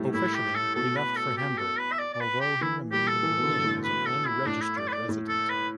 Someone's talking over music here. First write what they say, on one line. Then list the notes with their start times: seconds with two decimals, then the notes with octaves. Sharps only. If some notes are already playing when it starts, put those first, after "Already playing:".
Officially he left for Hamburg, although he remained in Berlin as an unregistered resident.
Already playing: A2 G3 A3
0.14 A2 E4
0.34 G4
0.55 A4
0.75 B2 A4
0.96 B4
1.16 A4
1.37 G4
1.58 A4
1.79 B4
1.92 E5
1.99 D5
2.14 D5
2.20 B4
2.41 G4
2.61 E3 E4
2.92 G3 G4
3.08 A4
3.23 E3
3.38 B2
3.43 D3
3.64 A2
3.84 B4
4.06 A4
4.26 E4
4.46 A2 D4
4.62 E4
4.77 D5
4.88 B4
4.93 D5
5.09 A2
5.29 A4
5.49 B4